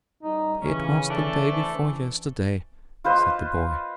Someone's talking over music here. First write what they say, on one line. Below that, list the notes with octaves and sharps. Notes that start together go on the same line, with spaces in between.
"It was the day before yesterday," said the boy.
A1 G3 D#4
C#3 E3 C#4
A3 D4 A4
C#3 E3 C5
F4 B4 C5 D#5